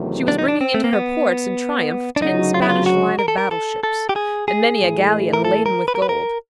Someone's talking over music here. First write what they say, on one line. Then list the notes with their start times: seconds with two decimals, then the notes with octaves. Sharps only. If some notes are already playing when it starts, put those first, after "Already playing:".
She was bringing into her ports in triumph ten Spanish line-of-battle ships, and many a galleon laden with gold.
Already playing: E2 C3 D#3 F#3 A3
0.28 D4
0.39 D#4
0.48 D4
0.61 C4
0.74 A3
0.84 A#3
0.93 B3
2.16 D4
2.22 D2 C#3 F#3 D#4
2.54 F4
2.62 E4
2.69 F4
2.86 F#4
3.19 A#4
3.28 A4
3.38 A#4
3.51 A4
3.83 A4
4.09 G4
4.16 G#4
4.48 G#4
4.81 A2 E3 A3
5.33 A#4
5.45 A4
5.66 A#4
5.88 B4
5.95 A#4
6.02 B4
6.09 A#4